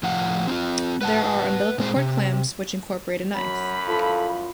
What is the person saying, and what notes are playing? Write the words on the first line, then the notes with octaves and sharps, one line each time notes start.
There are umbilical cord clamps which incorporate a knife.
A2 F3 F5 F#5
C4 D#4 F4
B4 F#5 A5
A#2 G#3 C4 C5
C3
F#2 F#3 B5
F3 E4 A4